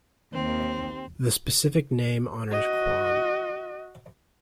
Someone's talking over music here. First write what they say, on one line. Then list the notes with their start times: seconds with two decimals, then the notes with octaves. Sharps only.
The specific name honours Kuan.
0.33 D#2 C4
2.49 F#4 D#5